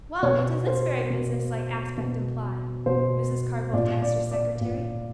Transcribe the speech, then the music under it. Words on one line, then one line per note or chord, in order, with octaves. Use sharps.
"Well, what does this very businesslike aspect imply?" Mrs. Carr-Boldt asked her secretary.
B2 C#5
C5
B2
B2
B2 C5
A#2 D5
D5
D5
A#2